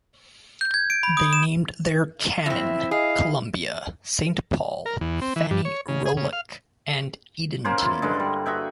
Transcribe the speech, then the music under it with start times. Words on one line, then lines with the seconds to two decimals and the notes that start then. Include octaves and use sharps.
They named their cannon: "Columbia", "Saint Paul", "Fannie Roulac", and "Edenton".
0.61 G6
0.74 G#6
0.90 D7
1.03 B5
1.17 D#6
1.33 E7
2.46 F2 C4 E4 E5
2.91 G#4 D#5 F5
4.86 A#4
5.01 E2
5.22 C4
5.36 E3
5.51 G2
5.65 C#5
5.88 C#3
6.06 G#4
6.17 C#3
6.33 F5
7.65 A#3 C#4 C5
7.78 E4 F4
8.02 G2 D3 G#3
8.20 G3
8.46 F#4 G#4 E5 G5